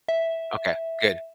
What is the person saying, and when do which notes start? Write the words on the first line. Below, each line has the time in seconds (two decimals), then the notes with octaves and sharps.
Okay, good.
0.08 E5